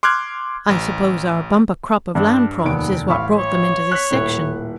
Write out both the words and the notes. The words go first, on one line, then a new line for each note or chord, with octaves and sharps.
"I suppose our bumper crop of land-prawns is what brought them into this section?"
C6 D6 F6 F#6 G#6
A1
G2 D4
F1 D#2 B3 D7
A1 F5 B5 C#6
C#5
F#6 B6
D#1 A2